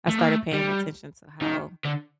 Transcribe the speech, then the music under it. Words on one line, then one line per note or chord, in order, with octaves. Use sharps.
I started paying attention to how
A3
A#3
A3
G3
D#3
D3